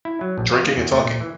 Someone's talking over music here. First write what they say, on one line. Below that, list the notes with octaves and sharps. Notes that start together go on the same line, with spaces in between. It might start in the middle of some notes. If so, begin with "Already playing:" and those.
Drinking and talking.
E4
F#3
A#1
F3
A#3
E2
A3
A#2
E3